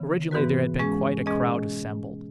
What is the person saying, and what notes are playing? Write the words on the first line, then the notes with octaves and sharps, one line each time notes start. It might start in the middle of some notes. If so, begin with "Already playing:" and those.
Originally there had been quite a crowd assembled.
Already playing: C#3 E3 B3
G#2 E3 B3 F#4 B4
G#3 C#4 G#4
B2 G#3 C#4 G#4 D#5